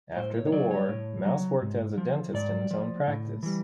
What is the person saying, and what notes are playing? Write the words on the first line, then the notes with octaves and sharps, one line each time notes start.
After the war Mauss worked as a dentist in his own practice.
A2 C5
C#5
C#5
F#3 D5
C#5
A2
F#3
G#2
F3
G#2 D5
F3
A2
E3 G3